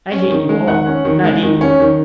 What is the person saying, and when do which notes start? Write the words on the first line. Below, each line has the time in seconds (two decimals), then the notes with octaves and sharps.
I hate you all, but not equally.
0.12 C#4
0.30 D#3
0.49 G#3
0.68 D#3 F#5 F#6
0.86 C#4
1.05 D#3
1.24 G#3
1.43 D#3
1.61 C#4
1.80 D#3